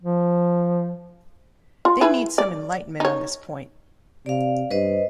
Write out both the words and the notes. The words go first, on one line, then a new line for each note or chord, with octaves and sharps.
They need some enlightenment on this point.
F3
F4
E4 G#4 B4
D5
D#4 C#5
C3 D5 F5
G2 B4 C5 D#5